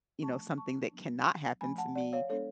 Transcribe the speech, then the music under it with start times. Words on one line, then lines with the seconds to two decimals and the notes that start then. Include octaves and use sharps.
you know, something that cannot happen to me
0.23 F3 A3 D4 A5 C#6
0.58 A5 C#6
0.91 F#3 B3 D4
1.61 F3 A3 C#4 G#5 B5
1.78 F#5 A5
1.95 D5 F#5
2.13 C#5 F5
2.30 G#3 B3 D4 A4 C#5